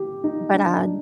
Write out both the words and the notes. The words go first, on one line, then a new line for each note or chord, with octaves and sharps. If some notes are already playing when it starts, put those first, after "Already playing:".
but I
Already playing: G4
D#4
D4
D4